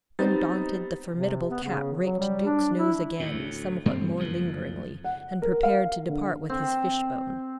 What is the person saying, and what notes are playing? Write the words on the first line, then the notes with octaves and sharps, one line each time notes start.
Undaunted, the formidable cat raked Duke's nose again, somewhat more lingeringly, and prepared to depart with his fishbone.
G3 B3 C4 D#4 A6
C3
B3
C#3
F#3
G3
D4
E4
D2 A2
G2 G3 C4
F#1 F2 F3
F#5
A#4
F5
D3
C4